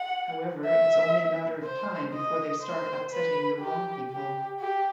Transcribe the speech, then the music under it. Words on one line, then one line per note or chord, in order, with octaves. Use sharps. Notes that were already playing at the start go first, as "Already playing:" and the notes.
However, it's only a matter of time before they start upsetting the wrong people.
Already playing: F#5
E5
C5
D#5
C5
B4
G4
G4
G4